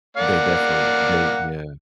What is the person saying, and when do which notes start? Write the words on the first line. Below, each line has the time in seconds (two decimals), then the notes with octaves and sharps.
They definitely they Yeah.
0.17 A#3 D5 F#5